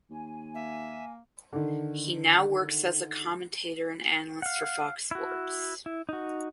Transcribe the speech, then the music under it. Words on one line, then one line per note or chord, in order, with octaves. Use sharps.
He now works as a commentator and analyst for Fox Sports.
D#2 G#5
A#3 E5
D3 D#3
F5 F#5
E4 F#4
E4
D#4 F#4